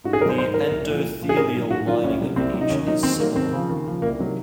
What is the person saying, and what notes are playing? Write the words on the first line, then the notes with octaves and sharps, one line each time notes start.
The endothelial lining of each is similar.
G#2 F#4
G#4
D#3 F#3 A#4 C5
G#2 C5
D#3 F#3 A#4
C2
A#2 F3
C2
A#2 F3
G#4
G#2 A#4
D#3 F#3
G#2 F#4
D#3 F#3 F4
C2 C#4
C3 F#3
C2 C4
C3 F#3
D#4
D#2 C#4
D#3 F#3 D#4
D#2 C4
D#3 F#3 A#3
D#2 C4
C#3 F3
D#2
C#3 F3
C2 A#3
C3 D#3 F#3